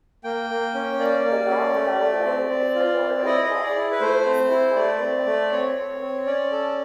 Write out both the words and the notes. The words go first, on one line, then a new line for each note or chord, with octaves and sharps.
The north town line is the border of Livingston County and Ontario County.
A#3 G5
A#3
C#4
A#3 D5
A#3
C#4
A3
A3
C4
C4
F4
C4
E4 D#5
D#5
G#4
D5
E4
B4
A3 C5
C4
E4
A3 D5
C4
A3
C4 C#5
C4
C4
C#4 D5
A4